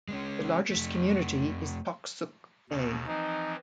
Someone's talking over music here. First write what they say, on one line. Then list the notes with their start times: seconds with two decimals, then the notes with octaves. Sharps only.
The largest community is Toksook Bay.
0.08 G#3 A#3 C#4
0.71 F2 A3
2.70 D#2 B2
3.07 E3 F3 C4 D#4